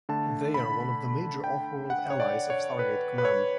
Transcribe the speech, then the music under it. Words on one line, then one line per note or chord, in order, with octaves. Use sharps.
They are one of the major offworld allies of Stargate Command.
D3 A3 A5
B5
G5
F#5
C#5
D5
C#5
B4
B4
C#5